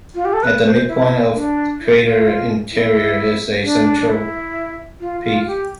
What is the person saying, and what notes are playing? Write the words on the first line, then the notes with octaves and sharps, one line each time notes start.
At the midpoint of the crater interior is a central peak.
F4
G4
A4
B4
C5
E4
D4
E4
F4
E4
F4
E4
D4
D4
E4
F4
F4
G4